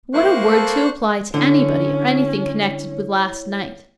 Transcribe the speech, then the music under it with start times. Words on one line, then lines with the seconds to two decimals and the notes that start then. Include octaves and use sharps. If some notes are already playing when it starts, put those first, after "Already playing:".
"What a word to apply to anybody or anything connected with last night!"
0.14 A#3 E4 C5 E5 C#6 F#6
0.51 A4
1.34 D3 C#4 E4 C#5